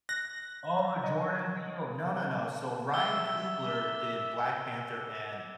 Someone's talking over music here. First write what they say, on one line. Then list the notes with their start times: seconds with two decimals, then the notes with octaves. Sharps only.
Oh, my Jordan Peele no, no, no, so, Ryan Coogler did Black Panther and
0.09 F#6 A#6
1.04 D#5
2.94 E5 D6 E6 G7